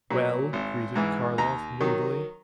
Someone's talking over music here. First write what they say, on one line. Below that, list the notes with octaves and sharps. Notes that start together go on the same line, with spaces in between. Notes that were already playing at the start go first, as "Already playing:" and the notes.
"Well?" greeted Karlov, moodily.
A#2 F#3
G#1
G#2 E3
D#2 A#5
D#3 F#3